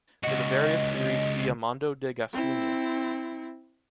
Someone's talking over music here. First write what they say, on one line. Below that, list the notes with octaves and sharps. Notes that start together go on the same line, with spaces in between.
For the various theories see Amando de Gascuña.
C#2 F#4 D#5
C4 E4